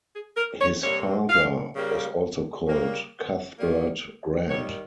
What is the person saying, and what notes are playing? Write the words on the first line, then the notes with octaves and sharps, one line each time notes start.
His father was also called Cuthbert Grant.
G#4
A#4
C#5
C3 G3 A#3 C#5
F5
C#3 G3 A#3
C#3 G3 A#3
D#3 G3 A#3
D#3 G3 A#3 C#5